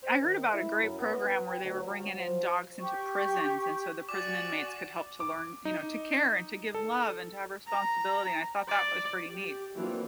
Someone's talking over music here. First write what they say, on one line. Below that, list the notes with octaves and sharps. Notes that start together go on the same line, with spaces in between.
I heard about a great program where they were bringing in dogs into prisons, and so the prison inmates could help to learn, you know, to care and to give love and to have responsibility, and I thought that was pretty neat.
C5
D#3
E4
F#2
B3
B4
G5
D2
F#3
F#4
F3
G4 C#6
F#4 D5 G#5 D6
D6
D#4
A4
A#5
D5
G4
E3 F#3 A#3 C4 D4 F4